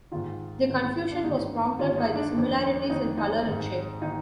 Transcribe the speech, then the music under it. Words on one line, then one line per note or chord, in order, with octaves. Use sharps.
The confusion was prompted by the similarities in colour and shape.
G#2 D#3 F4
G#2 D#3
D4
G2 D#3 D#4
G2 D#3 F4
D#4
D4
F2 D#3
F2 D#3 D#4
D#4
G#2 D#3
D#3 D#4